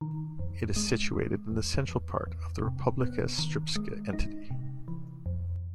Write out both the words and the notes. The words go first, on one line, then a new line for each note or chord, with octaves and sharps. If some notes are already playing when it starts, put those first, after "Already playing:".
It is situated in the central part of the Republika Srpska entity.
D#3
F2
G#3
G#3
E2
E2
E2
C3
B3
D#3
G#3
D#4
C3
E3
F2